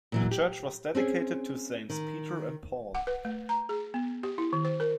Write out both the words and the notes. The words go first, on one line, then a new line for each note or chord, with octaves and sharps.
The church was dedicated to Saints Peter and Paul.
A#2 E3 F#3
G4
C4 C#4 G#4
D#3
F#5
B4
A3
A#5
G#4
B3
G4
E4
D#3
C5
A#4